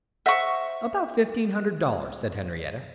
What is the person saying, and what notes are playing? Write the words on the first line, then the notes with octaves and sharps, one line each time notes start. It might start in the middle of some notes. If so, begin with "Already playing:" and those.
"About fifteen hundred dollars," said Henriette.
C5 D#5 E5 F#5 C#6